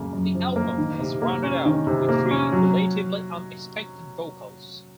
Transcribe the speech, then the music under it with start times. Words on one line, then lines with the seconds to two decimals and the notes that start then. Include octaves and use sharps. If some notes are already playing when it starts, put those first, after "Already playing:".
The album was rounded out with three relatively unexpected vocals.
Already playing: F#2 C#3 F3 A#3
0.13 F#2
0.35 F3
0.56 A#3
0.78 D#3
1.00 C3
1.22 A#3
1.43 C#4
1.65 D#3
1.87 C3
2.09 A#3
2.31 C#4
2.52 F#3